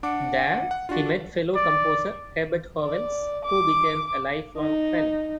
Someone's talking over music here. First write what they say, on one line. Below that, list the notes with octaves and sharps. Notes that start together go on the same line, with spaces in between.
There he met fellow composer Herbert Howells, who became a lifelong friend.
D4 F#5 D6
F#5
D4 F4 F#4
D5
D5
D6
D#4